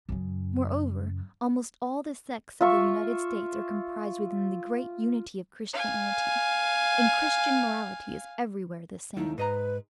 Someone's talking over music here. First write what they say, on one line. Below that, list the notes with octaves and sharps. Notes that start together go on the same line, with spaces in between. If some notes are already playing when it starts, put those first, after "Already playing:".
Moreover, almost all the sects of the United States are comprised within the great unity of Christianity, and Christian morality is everywhere the same.
F#2 C#3
F4 E5 C#6
F5 G#5
D#2 A3 D#4 E4
G#2 B4 D#5 A#5